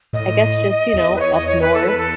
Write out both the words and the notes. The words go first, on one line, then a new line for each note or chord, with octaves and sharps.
I guess just, you know, up north
A2 D#5
E2
B4
C#5
D#5
C#5
B4
A4
B4
A4